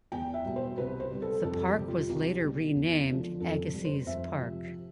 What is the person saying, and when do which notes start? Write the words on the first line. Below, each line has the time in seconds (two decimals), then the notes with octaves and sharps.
The park was later renamed Agassiz Park.
0.12 E2 G5
0.34 E5
0.45 B2 G3
0.56 C5
0.78 C2 B4
1.00 C5
1.11 C3 G3
1.22 A4
1.44 F2 A4
1.65 G4
1.77 C3 G3
1.88 F4
2.10 C2 G4
2.42 B2 G3
2.75 E2
3.09 D3 F3
3.40 F2 A4
3.74 C3 G3
3.85 C5
4.06 F2 E5
4.39 C3 F3